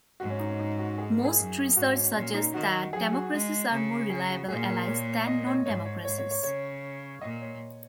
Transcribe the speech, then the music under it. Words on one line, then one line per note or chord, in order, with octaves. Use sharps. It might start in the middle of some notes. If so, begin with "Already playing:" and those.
Most research suggests that democracies are more reliable allies than non-democracies.
G#2 F#4
C#4
D#4
C#4
D#4
F#4
G#4
A#4
G#4
F#2
G#2 F#4
C#4
A#2 C#4
D#4
D#3 F#4
F#3 G#4
F#4
G#3
C#3
G#4
F#4
A#2 G#4
A#4
C#5
D#5
C#5
G#2 C#5
C#5
G#2 C#5
C#5
C#5
C#3 C#5
A#2 D#5
C#5